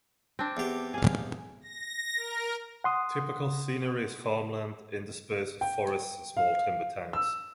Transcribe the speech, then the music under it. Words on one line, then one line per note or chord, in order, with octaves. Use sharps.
Typical scenery is farmland interspersed with forests and small timber towns.
C4 D4
E2 G4
G#4 F5
A#6
A#4
F#5 C6 D#6
G5
F5
E6